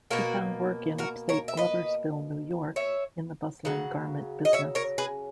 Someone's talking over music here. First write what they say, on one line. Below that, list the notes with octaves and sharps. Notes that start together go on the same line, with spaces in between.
He found work in upstate Gloversville, New York, in the bustling garment business.
B2 A#3 F#4 A#4
F#4 A#4
A#4 C#5
E5
B4 D#5
C#5 E5
C#3 F#3 F#5
D#5
C#5 E5
A#4 C#5
G#4 B4